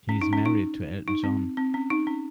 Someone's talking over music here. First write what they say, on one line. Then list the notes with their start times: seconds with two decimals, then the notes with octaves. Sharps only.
He is married to Elton John.
0.09 C#4
0.21 D#4
0.33 C#4
0.45 D#4
1.08 D#4
1.24 C4
1.57 C4
1.74 C#4
1.90 D#4
2.07 C#4